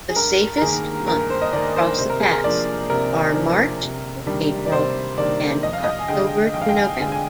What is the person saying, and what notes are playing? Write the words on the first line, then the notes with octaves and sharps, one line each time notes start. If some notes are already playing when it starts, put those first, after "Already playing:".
The safest months to cross the pass are March-April and October-November.
G#4
G2 A#4
A#4
D#3 A#3 G#4
G2 A#4
C5
D#5
D#3 A#3 D5
C5
C3 C5
A#4
G#4
A#4
F3 A#3 D4 D5
C3 A#4
F3 A#3 D4
C3
D#3 G3 A#3 D4
D5
C3 C5
D#3 G3 A#3 D4 D5
F2 D#5
F5
D#5
G#5
D3 G#3 G5
F2 G5
F5
G5
G#5
D3 G#3 G#5
G#5